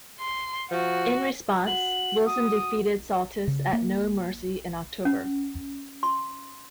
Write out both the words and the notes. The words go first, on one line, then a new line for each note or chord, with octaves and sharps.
In response, Wilson defeated Psaltis at No Mercy in October.
C6
F3 F#4
F#4 F#5 F#7
D#6
C#3
A#3
C#4
C6